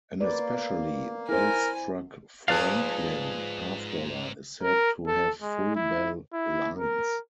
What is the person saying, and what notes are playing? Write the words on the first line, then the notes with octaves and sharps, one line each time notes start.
An especially well-struck Franklin half dollar is said to have full bell lines.
A#3 B4 D5
E4 A#4 C5 G#5
G#2 F3 G#4 B4 D5 F5
A#4
A4
G#3
E4
E4
A#4